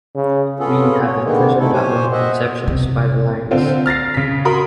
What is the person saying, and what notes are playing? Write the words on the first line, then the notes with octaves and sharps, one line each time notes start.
We have imprisoned our own conceptions by the lines.
C#3
B3 C#4 F4 G#4 A4
C#5
D3 D#3 G#3 A#3 B3
A3 D#4 E4 A4
G4 C5 C#5 G#5
C5 D#5 E5 F#5
C3
D3 C4 F4
F6 A6 A#6 C7
C#3 B6
F#4 A#4 B5 C6 D#6